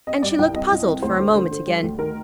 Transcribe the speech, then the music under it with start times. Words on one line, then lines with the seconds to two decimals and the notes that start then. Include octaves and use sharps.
And she looked puzzled for a moment again.
0.07 C4 D#5
0.22 G3 D5
0.39 C2 G5
0.54 C4 D#5
0.72 C2
0.87 C4
1.02 D2 C5
1.19 D3
1.35 D3
1.51 D3
1.66 G3
1.82 D2
1.99 D#3 A#4